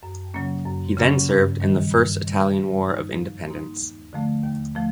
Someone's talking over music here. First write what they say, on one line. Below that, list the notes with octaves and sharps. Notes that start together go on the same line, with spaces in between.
He then served in the First Italian War of Independence.
F#2
C#3 F#3 A#3 C#4
F#2
C#3 F#3 A#3 C#4
G2
D#3 G3
G2
D#3 G3
F3
A#3 D#4
F3
A#3 D#4
D#2
D3 F3 A3
D#2
F3 A3